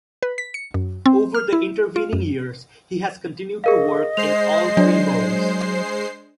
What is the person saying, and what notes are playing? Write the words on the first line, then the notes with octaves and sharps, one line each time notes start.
Over the intervening years, he has continued to work in all three modes.
B4
B6
C#7
F#2
C4
F6
E4
F4
F#2
G#4 A#4 D#5 F5
G#3 C5 C7 F7
F#3 D4 D5